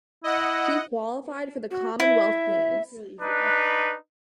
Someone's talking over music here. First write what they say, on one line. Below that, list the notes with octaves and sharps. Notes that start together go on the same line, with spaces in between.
She qualified for the Commonwealth Games.
E4 D#5 F#5
F#4
E4 E5
D4 D#4 B4